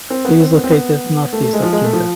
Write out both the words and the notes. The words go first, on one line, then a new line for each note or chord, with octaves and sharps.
It is located northeast of Kinta.
C4
B3
C4
B3
C4
B3
A3
A3
G#3
F3
G#3
A3
F3